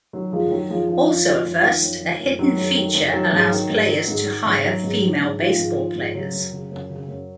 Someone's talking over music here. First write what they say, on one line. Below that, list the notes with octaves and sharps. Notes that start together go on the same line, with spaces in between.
Also a first, a hidden feature allows players to hire female baseball players.
D#3 F#3
F#2 F3 G#3
D#3 F#3
F#2 F3 G#3
D#3 F3
F#2
D#3
F#2
D#3
F#2
D#3
F#2
D#3 F#3
F#2
D#3
F#2
D#3 F#3
G#2
D#3
G#2
D#3
G#2
D#3
G#2
D#3 F#3
G#2
D#3
G#2
D#3 F3
G#2
D#3
G#2
C#3 F#3
F#2
C#3
F#2
C#3
F#2